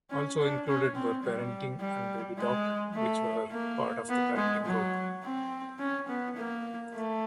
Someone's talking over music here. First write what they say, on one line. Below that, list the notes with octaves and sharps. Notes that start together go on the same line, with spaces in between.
Also included were "Parenting" and "Babytalk", which were part of the Parenting Group.
C#4
D4
C#4
C4
G3
G3
G#3
A3
A#3
B3
G#3
F#3
C4
C#4
B3
A#3
A3